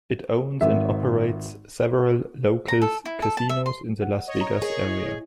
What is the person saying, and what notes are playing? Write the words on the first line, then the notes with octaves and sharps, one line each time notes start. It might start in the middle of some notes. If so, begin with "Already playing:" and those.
It owns and operates several locals casinos in the Las Vegas area.
G#1 E5
A#5
A4
E4
A4
A5
E5
C6
F#5
C#5 D#5
A#5
G#4 A#4
E4